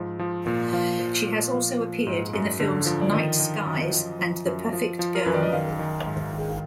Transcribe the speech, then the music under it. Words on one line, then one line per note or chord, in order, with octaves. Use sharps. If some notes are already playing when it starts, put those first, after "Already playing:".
She has also appeared in the films "Night Skies", and "The Perfect Girl".
Already playing: G#2 F3
F3
A#2
F3 F5
F3
A#2
F3
F3
G#2
F#2
D3
F3
D5
D#3 D#5
D#3
F#2
F3
F3
F#2
F3
F3
A#4
F#2 B4
D5
D#5
D#3 F5
D#3
G#2
D#3